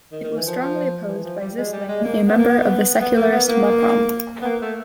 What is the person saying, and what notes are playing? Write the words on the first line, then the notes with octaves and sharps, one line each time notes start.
It was strongly opposed by Zisling, a member of the secularist Mapam.
D#3
D#3
E3
F3
F3
E3
F3
G3
G#3
G3
G#3
A#3
B3
A#3
B3
B3
A#3
B3
A#3
B3
A#3
A3